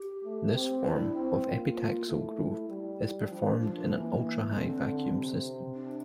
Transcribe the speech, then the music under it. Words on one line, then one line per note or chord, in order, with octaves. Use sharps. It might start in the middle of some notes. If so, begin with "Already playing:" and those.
This form of epitaxial growth is performed in an ultrahigh vacuum system.
Already playing: G4
A3
C4
D4 E4
C4
A#3 F4
A3 E4
G3
F3 D4
D4
E3 A#3
D3 C4
D3
C3
D4